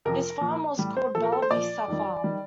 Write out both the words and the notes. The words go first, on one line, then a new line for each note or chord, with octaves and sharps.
His farm was called 'Bella Vista Farm'.
F2 C3 F3 A#4
A#2 F3
A2 G3
C5
A#2 F3 A4
A#4
A4
C5
A#2 F3 D5
F2 D#3 G3
D#3 G3